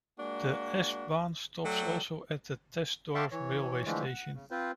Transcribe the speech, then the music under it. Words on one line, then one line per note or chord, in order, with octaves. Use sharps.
The S-Bahn stops also at the Thesdorf railway station.
G#3 A#3 D4 F4 F#4
F#3 A3 A4 D5 G5
E5 F5 G5 A5 C6 C#6
E3 C#5
D3 E3 F3 G#3 A3
F#5
C#3
C4 F4 B4 C5